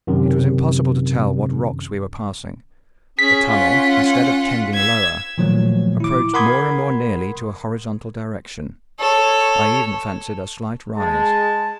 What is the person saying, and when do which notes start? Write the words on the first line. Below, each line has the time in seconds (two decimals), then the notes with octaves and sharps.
It was impossible to tell what rocks we were passing: the tunnel, instead of tending lower, approached more and more nearly to a horizontal direction, I even fancied a slight rise.
0.07 F#2 C3 D#3
3.19 C#4 G#4 B6
3.47 F4 F#5
4.74 E6 G#6
5.38 A#2 D#3 F3 F#3 A3
6.00 E4 D6
6.34 A#4 F#5 B5 C6 D#6 G#6
9.00 A4 C#5
10.97 G#3 A5